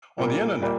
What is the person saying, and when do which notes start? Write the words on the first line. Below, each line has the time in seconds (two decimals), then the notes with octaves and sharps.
on the Internet."
0.18 A#2 G3 A#3
0.61 A#2 G3 A#3